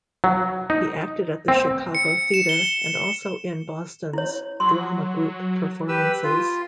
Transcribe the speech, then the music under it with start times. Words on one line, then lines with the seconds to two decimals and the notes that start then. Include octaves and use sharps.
He acted at the Chicago Theater and also in Boston's Drama Group performances.
0.24 F#3
0.70 D#4
1.48 C4
1.95 C#7
2.34 E7
2.49 G7
4.13 E4 C#5
4.60 F#3 C6
5.88 G4 B4 E6
6.24 F4